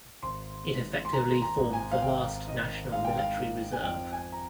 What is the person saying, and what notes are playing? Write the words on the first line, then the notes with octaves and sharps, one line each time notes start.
It effectively formed the last national military reserve.
G#1 C6
G#2
C6
D#3 A#5
A#5
G#1
G#5
F5
G#1 G5
D#3 D#5
G#2 F5
G5
F5
D#3
G#5
F2 G5
G#5
A#5